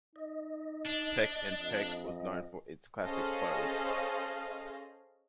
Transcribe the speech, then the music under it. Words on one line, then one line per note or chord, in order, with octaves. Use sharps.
Peck and Peck was known for its classic clothes.
D#4 D#5
D4
F2
C#4 G#4 A4 C5 D#5 F5